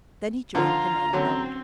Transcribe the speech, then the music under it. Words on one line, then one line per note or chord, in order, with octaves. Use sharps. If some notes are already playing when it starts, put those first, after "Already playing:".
Then he joined the main road.
D3 F3 F4 A#5
D3 F#3 C4 C#4